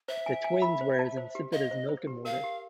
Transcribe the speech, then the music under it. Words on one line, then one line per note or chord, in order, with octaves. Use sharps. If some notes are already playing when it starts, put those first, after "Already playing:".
The twins were as insipid as milk and water.
C5 E5
G#5
G#5
B5
C5
A5
C5
G4
D#5 F5
C5
C5
G4
A#4 F5
G4